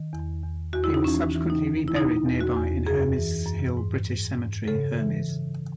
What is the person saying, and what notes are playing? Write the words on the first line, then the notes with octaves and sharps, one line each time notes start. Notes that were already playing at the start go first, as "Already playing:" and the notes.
He was subsequently reburied nearby in Hermies Hill British Cemetery, Hermies.
Already playing: D#3
E2
E2
E2 F#4
E4
D#4
E3 C#4
E3
D#4
F#2
E4
B2 D#4
E2
F#4
E2
F#2 G#4
E3
F#2
G#2
G#2
G#2
C#3 A4
E3
C#3
E3